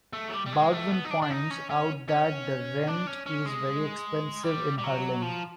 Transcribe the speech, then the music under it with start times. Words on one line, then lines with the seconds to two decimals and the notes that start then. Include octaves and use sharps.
Baldwin points out that the rent is very expensive in Harlem.
0.13 A3
0.28 F#3
0.32 G3
0.46 G3
0.52 G#3
0.72 A3
0.91 B3
1.05 D#4
1.11 D4
1.22 D4
1.30 D#4
1.51 C#4
1.70 C#4
2.09 C#4
2.87 D4
3.07 C#4
3.26 C#4
3.46 G#3
4.43 G3
4.78 G3
4.84 F#3
5.22 F3